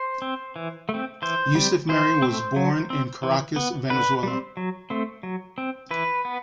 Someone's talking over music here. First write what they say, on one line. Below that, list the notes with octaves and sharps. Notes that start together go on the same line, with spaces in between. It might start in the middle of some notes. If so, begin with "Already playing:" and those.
Yucef Merhi was born in Caracas, Venezuela.
Already playing: C5
C4
E3
A3
C4
E3 C5
G3 C4
E3 C5
C4
A3
F#3
C4
E3
B3
D3 B4
G3 C4
F#3
A3 C4
F#3
C4
E3 B4
B3